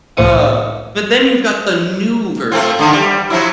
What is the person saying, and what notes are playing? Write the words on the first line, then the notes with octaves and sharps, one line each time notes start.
Uh, but then you've got the new version of it,
C2 A2 C5 C#7 D#7
A3 C4 F4
D3 D#3 A3
G3
F3 F#3 E4